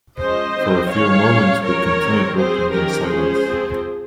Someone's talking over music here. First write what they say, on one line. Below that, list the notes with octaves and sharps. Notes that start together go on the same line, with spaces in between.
For a few moments, we continued walking in silence.
F3 G#3 C#4 C5 D#5
D#3 G3 C4
D#3 G#3 C#4 C#5 F5
G3 C#4
F3 G#3 C#4 A#4 C#5
D#3 G3 C4
F3 C4 G#4 C5
D#3 A#3 C#4 G4 A#4
F3 G#3 C#4 G#4 C5
F3 C4